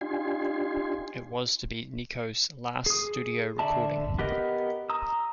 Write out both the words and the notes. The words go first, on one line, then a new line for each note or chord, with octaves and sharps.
It was to be Nico's last studio recording.
D4 D#4 F4 G4 G#5 C6
G#4 D#6
D3 D5 E5 A5
B3 G4 A#4 D#5
A#5 D#6 E6